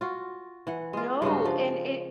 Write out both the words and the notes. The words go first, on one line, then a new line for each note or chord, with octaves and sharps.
No. And it
F4 F#4
E3 F#5
G#3 F4
G2 C#3 G#3 F#4
F3